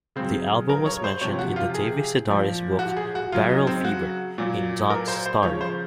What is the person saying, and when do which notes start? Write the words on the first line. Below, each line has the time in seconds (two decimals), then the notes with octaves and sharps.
The album was mentioned in the David Sedaris book "Barrel Fever", in "Don's Story".
0.16 C#3 F#3 C4
0.69 A#4
0.86 C#5
1.04 C5
1.21 C3 F3 C#5
1.39 F#4
1.56 F4
1.74 G#4
2.27 A#2 F3
2.79 F#4
2.97 G#4
3.15 F#4
3.32 C#3 F#3 F4
3.49 D#4
3.67 C4
3.84 F#4
4.38 A#2 F#3
4.90 A#4
5.08 C5
5.26 C5
5.42 C#3 F3 C#5
5.61 C5